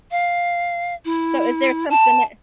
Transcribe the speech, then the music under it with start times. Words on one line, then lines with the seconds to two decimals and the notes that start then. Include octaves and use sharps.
So, is there something that
0.11 F5
1.05 E4
1.90 A5